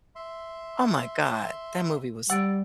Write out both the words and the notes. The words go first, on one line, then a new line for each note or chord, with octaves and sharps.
oh my god. That movie was
E5 C6
G3 F#5 E6 A6 D7